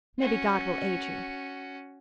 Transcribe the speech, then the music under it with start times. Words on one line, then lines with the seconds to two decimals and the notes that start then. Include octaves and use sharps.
Maybe God will aid you.
0.19 C#4 F#4